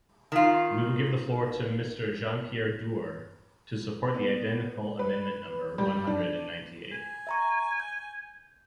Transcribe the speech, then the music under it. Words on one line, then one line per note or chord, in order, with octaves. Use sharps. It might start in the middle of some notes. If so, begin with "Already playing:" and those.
We will give the floor to Mr Jean-Pierre Door, to support the identical amendment number one hundred and ninety eight.
D#3 F4
B3
B4
G3
D4
G#5
E5 A#5 C#6
G6